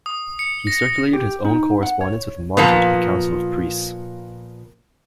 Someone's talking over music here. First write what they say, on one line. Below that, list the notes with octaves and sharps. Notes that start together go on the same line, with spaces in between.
He circulated his own correspondence with Martin to the Council of Priests.
D#6
C#7
A#6
G4
D#4
F#5
C#5
A#2 F3 A#3 B3